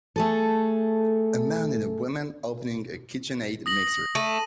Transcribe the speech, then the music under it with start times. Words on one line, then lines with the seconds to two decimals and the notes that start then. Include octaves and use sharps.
A man and a woman opening a KitchenAid mixer.
0.16 A3 G#4 A4
3.66 D#6 A#6 F#7
4.15 A3 D#7